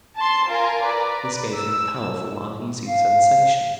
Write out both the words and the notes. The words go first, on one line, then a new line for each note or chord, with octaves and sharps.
This gave him a powerful, uneasy sensation.
A5 C6
F4 A#4 G#5
B4 D5 A#5
E6
F5